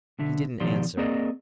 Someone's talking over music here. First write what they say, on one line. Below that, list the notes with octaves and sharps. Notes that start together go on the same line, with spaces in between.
He didn't answer.
B1 D3 E5
B2 D#3 F3 G4 D5 C6
A#3 C4 G#4 A#4 D5 D#5